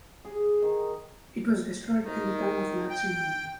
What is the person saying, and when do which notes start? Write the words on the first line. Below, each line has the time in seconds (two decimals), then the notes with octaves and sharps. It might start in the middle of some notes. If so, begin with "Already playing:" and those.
It was destroyed in the time of Nazi rule.
0.25 G#4
0.62 D#3
2.03 D#3
2.90 G5